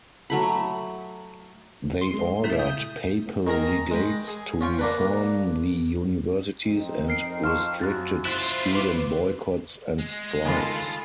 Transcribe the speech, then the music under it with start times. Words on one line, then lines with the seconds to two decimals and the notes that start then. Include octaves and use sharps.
They ordered papal legates to reform the universities and restricted student boycotts and strikes.
0.30 F#3 A3 B5
2.01 C6
2.14 G#3
2.44 A#2 A3 E4 B6
2.59 D#6 G6
3.47 D#3 G#4 A#4 A#5
3.91 G#3 G5 B5
4.28 G#4
4.61 C#4 F4 G5 C#6
4.79 A#3 D4 B4
6.64 F2 C4 D#4
7.08 A#4 C7 D7
7.43 F4 A5 C6 C#6 F6
7.81 F#2 F#4 F#6 A6
8.25 E4 F4 C5 F#6 A6
8.73 B4 B5 C6 D6
9.98 G#3
10.45 D#3 F3 F4 A4 G#5 B5